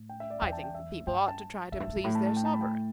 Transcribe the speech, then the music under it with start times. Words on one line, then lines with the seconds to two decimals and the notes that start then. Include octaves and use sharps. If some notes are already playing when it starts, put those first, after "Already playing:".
"I think the people ought to try to please their sovereign."
Already playing: A2
0.09 G5
0.20 E5
0.30 D5
0.42 E2 G5
0.52 A5
0.63 G5
0.75 E5
1.07 G2 G5
1.28 A5
1.72 E2 E5
1.80 G2
1.88 E2
1.96 G2
2.04 A2 B5
2.15 A5
2.26 A5
2.36 G5
2.45 A5
2.53 B5
2.61 G5